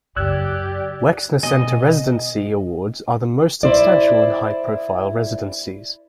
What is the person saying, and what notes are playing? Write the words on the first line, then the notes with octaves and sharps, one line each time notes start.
Wexner Center Residency Awards are their most substantial and high-profile residencies.
F#2 C#3 G4 D5 E6 F#6 G#6
B2 D#5 G#5
E4 C5 D5